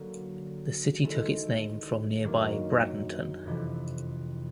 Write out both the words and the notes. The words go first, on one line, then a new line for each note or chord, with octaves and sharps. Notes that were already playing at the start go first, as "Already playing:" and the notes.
The city took its name from nearby Bradenton.
Already playing: D3 F#3 A#3
D#3 G#3 C4 E4 A4
F#2 D#3 F#3 A#3 D4
F2 C3 E3